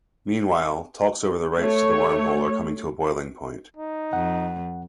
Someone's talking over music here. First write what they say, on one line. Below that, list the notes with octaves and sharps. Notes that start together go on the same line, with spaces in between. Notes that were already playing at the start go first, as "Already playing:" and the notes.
Meanwhile, talks over the rights to the wormhole are coming to a boiling point.
A3 C#5
D#4
F2 F#5